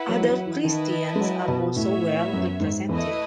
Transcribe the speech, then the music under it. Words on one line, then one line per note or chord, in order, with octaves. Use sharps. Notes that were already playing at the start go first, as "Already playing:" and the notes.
Other Christians are also well represented.
Already playing: E4 B4 F#5
F#3
E3
F#3
E3
D#3 E4 B4 D#5 A5
G#3
F#3
B2
A2 B3 F#4 C#5 E5
F#2
G#2
E2 A3 E4 B4 D#5